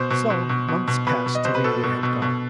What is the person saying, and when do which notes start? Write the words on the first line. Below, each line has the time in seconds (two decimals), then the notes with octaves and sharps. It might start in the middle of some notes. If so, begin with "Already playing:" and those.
So months passed till a year had gone.
Already playing: B2 C5
0.10 B2
0.30 B2
0.49 B2
0.68 B2
0.88 B2
1.07 B2 B4
1.26 B2
1.35 D#5
1.45 B2 C5
1.55 B4
1.64 B2 A4
1.83 B2
2.03 B2
2.22 B2